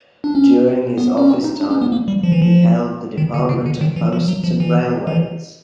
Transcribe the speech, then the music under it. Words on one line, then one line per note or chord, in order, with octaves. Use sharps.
During his office time he held the Department of Posts and Railways.
D4
C#4
B3
C#4
C4
D#4
D4
C#4
B3
A#3
G3
F3
E3
F3
D#3
D3
C#3
D3
D#3
E3
F3
F#3
F3
E3
E3